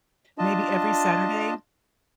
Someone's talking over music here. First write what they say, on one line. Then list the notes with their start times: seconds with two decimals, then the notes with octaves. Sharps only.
maybe every Saturday
0.38 D4 F4 D#5 A5